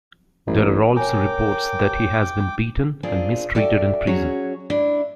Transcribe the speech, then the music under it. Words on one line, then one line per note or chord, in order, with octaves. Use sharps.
There are also reports that he has been beaten and mistreated in prison.
A1
A#4 C#5 G5 G#5 D6
A#3 C4 D4 F4 G#4
F#4 A4 D5 E5 G5
F#3 C#4 F#4 G#4 C#5
D4 E4